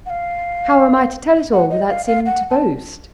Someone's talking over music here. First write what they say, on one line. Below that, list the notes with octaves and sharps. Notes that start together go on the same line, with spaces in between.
How am I to tell it all without seeming to boast.
F#5
F5
F#5
D#5
F5
F5
F#5
A5